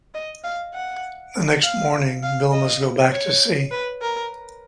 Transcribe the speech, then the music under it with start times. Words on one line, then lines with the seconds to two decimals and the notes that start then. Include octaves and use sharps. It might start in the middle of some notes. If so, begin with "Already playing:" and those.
The next morning Bill must go back to sea.
0.14 D#5
0.44 F5
0.74 F#5
1.63 F5
2.23 F5
2.52 D#5
3.12 C#5
3.71 B4
4.02 A#4